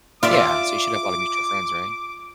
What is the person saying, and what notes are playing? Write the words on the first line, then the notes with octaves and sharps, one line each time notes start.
Yeah. So you should have a lot of mutual friends, right?
F4 D5 E5 D6